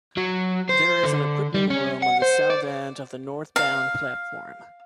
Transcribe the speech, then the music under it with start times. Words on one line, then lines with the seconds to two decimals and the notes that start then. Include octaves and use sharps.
There is an equipment room on the south end of the northbound platform.
0.17 F#3
0.69 C5
1.04 D3
1.54 G3
1.70 C#4
2.02 F#5
2.22 C5
2.50 D5
3.56 F5